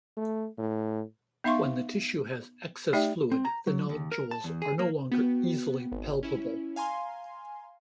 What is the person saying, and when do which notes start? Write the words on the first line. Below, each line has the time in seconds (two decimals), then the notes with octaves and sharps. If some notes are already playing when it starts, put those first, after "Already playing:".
When the tissue has excess fluid the nodules are no longer easily palpable.
0.17 A3
0.58 A2
1.44 B3 D#4 E5 F5 C6 C#6
2.93 A3 D#4 G4 D5 E5 G5
3.32 C4
3.45 A#5
3.67 F#3
3.89 D#2
4.12 A#4
4.31 A5
4.44 E2
4.62 G#4
4.79 A#3
5.12 B3 F#4 G5
5.92 G#1
6.23 C#4 E4
6.76 F5 G#5 A#5 C6